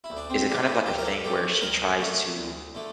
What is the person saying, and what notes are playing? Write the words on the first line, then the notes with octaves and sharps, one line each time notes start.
Is it kind of like a thing where she tries to
E4
D2
D4
C4
D3 A3 D4
E4
D2 G4
A#4
A4
D3 A3 G4
D2 A#4
D3 A3
D2
D3 A3